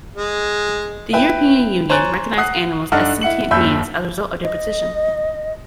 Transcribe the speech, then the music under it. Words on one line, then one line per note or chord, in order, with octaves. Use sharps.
The European Union recognised animals as sentient beings as a result of their petition.
G#3
E4 B4 G5
C5 C#5 G#5 A#5 F#6 A6
F#5 D#6 F#6 C7
G2 D4 D#4 A4 F#5 F6
E4 F#5 C#7 F#7
F#1 D#2 E5 B5 E6 G6
D#5